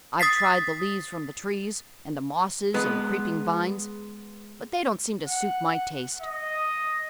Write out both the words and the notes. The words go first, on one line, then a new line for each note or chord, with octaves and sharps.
I've tried the leaves from the trees and the mosses and creeping vines, but they don't seem to suit my taste.
D#6 A6 B6 C7
G#3 B3
F#5
D#5